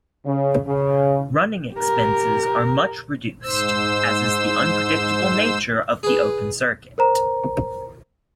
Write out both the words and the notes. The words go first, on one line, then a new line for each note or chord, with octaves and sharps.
Running expenses are much reduced, as is the unpredictable nature of the open circuit.
C#3
C#3
G4 A#4
G#2 C5 E6
G#4 B4
A#4 C5 A#5